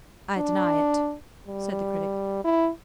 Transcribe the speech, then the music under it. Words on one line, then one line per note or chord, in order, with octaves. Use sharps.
"I deny it," said the Critic.
D4
G3
E4